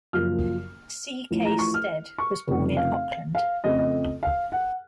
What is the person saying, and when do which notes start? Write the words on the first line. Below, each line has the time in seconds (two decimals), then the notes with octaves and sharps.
C. K. Stead was born in Auckland.
0.13 F#1 F#2 F3 A#3 F6
1.31 A1 A2 F3
1.45 A#5
1.59 C#6
1.74 F6
2.18 C#6
2.47 F1 F2 C#3 A3
2.77 F5
3.35 F5
3.64 F2 C#3 A3 C4 D#5
3.78 D#5
4.23 F5
4.52 F#5